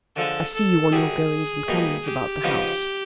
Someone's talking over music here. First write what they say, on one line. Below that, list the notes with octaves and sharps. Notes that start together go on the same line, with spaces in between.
I see you on your goings and comings about the house.
D3 F3 G#3 A4
A4
F#2 D3 G3 G#4
B2 G3 A#3 D#4
G4
C#3 F3 G#3 B3 D#4